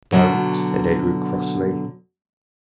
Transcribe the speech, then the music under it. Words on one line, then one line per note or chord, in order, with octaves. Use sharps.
"Don't!" said Edred crossly.
B2 D3 F#3